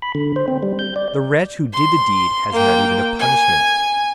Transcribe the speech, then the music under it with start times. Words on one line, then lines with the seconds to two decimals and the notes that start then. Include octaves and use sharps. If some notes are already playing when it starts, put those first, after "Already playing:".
The wretch who did the deed has not even a punishment.
0.02 B5
0.15 D3
0.36 C5
0.48 C4
0.63 G3
0.79 G6
0.96 D5
1.73 C6
2.52 A#3 G5
3.19 G#5